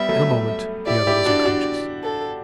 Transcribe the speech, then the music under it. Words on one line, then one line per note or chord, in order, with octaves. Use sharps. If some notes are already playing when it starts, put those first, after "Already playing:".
In a moment the other was unconscious.
Already playing: G3 B3 E5
F#3 A3
E4 G4 D5
E4 G4
D4 F#4
D4 F#4
A4